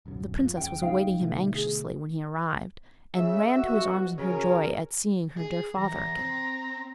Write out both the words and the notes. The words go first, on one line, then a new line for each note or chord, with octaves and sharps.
The princess was awaiting him anxiously when he arrived, and ran to his arms in her joy at seeing her dear father again.
D1 B1 F#2
F2 F3
F2 C#3 G5
C2 C#3 G#3 D#4 F5 G5
B2 D3 A3
G#4
C#3 E5
A1 B2 F#4
C#3 F#4 G#4 A#4
G#4
E2 A#5
C4